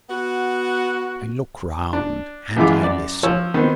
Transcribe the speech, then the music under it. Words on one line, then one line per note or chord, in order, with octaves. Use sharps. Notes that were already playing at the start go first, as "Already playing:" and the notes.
I look round and I listen.
B3 F#4
D4
F#2 E3 G#3 F4 D6
F#2 D5
F3 C#5 E6
D#3 B3 C4